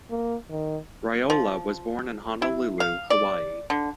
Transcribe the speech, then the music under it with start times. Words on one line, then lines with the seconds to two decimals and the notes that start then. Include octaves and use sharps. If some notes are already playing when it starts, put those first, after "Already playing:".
Raiola was born in Honolulu, Hawaii.
0.10 A#3
0.50 D#3
1.30 F3
2.42 E4
2.80 F5
3.10 D5
3.70 D3